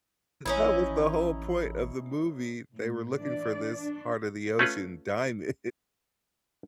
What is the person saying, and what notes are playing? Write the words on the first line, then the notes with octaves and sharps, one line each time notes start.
that was the whole point of the movie. They were looking for this heart of the ocean diamond
A1 C#4 D#4 E4
A2
E3 D4 D5
D4
A3 C#4 F4 B4